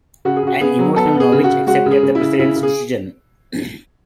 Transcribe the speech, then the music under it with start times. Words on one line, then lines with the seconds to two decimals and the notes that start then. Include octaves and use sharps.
An emotional Novick accepted the President's decision.
0.25 C#3 F#4
0.36 G#4
0.43 C#3 F#4
0.61 B3 G#4
0.79 F#3
0.96 B3 A4
1.14 B3
1.20 G#4
1.32 C#3
1.44 F#4
1.50 C#3
1.67 G#3 F#4
1.86 C#3
1.91 G#4
2.03 C#3
2.15 E4
2.20 C#3
2.39 C#3 E4
2.56 C#3
2.63 G#4